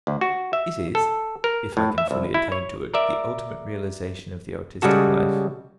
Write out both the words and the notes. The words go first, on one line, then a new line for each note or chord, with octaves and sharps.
It is, if I can fully attain to it, the ultimate realisation of the artistic life.
D2
F#4
E5
A4
A#4
A2
E5
C2
E4
C#5
A#4 D5 E5
C#3 G3 G#3 F#4 A4